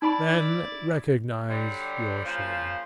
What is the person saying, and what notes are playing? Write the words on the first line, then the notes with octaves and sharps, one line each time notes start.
Then recognize your shame.
D#4 E4 D5 B5
D3 F#3 G3
A#2 C#3 F3